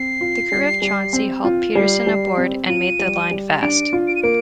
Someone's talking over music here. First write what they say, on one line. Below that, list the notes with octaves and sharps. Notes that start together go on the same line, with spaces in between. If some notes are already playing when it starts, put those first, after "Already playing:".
The crew of "Chauncey" hauled Peterson aboard and made the line fast.
Already playing: C4 C7
F4
G3
G3
C4
F4
G3 C7
G3
C4
F4 D#7
G3
G3
D4 D7
F4
D7
D#7
A#3 D7